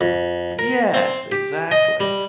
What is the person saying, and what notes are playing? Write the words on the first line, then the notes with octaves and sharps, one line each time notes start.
Yes, exactly.
F2
A#4
C4
G4
D#5
G3